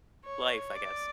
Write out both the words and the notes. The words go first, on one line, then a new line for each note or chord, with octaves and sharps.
life, I guess
C#5
D5